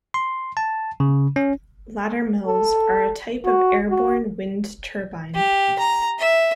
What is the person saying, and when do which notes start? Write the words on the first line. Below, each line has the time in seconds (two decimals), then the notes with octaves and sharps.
Laddermills are a type of airborne wind turbine.
0.14 C6
0.57 A5
1.00 C#3
1.36 C#4
2.47 A4
3.45 F#4
3.90 F#4
5.35 G4
5.79 A#5
6.19 E5